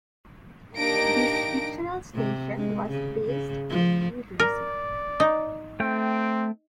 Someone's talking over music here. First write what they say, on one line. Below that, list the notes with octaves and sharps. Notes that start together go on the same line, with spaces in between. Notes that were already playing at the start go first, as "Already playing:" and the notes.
This fictional station was based in New Jersey.
A#3 D4 D#4 G4 A#6 D7
C3
G#3
C#3
C#3
F3
A#4 D5
D#4
A3 C4 G5